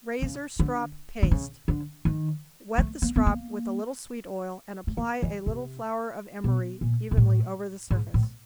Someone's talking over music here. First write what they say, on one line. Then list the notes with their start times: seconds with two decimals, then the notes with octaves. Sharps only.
Razor-strop Paste.--Wet the strop with a little sweet oil, and apply a little flour of emery evenly over the surface.
0.22 C#3
0.59 D3
1.23 D3
1.31 C#3
1.68 D3
2.05 D#3
2.78 A3
3.02 A#3
3.16 B3
3.26 A#3
4.87 A3
4.97 A#3
5.22 E3
5.46 C3
6.44 B2
6.81 A#2
7.11 A#2
7.17 A2
7.90 G#2
8.14 A2